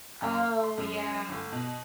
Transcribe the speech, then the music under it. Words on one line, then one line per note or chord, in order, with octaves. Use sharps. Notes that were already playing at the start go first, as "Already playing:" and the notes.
Oh, yeah.
F#2
C6
C6
F#2
G1
B2